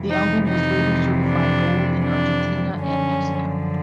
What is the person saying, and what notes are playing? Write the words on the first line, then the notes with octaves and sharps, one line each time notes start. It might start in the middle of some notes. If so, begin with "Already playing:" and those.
The album was later certified Gold in Argentina and Mexico.
Already playing: F2 C3 E3
D#4
D#4
D4
D4
F#2 D3 F3 C#4